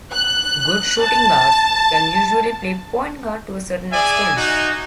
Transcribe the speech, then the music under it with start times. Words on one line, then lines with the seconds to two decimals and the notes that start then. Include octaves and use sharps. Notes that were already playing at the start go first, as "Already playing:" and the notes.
Good shooting guards can usually play point guard to a certain extent.
0.13 F#6
1.01 A5
3.92 G#4 D5 E5 G#5
4.36 D#4 F#4